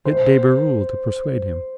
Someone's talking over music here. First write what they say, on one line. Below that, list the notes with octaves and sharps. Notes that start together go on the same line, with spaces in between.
Get de Berulle to persuade him.
C5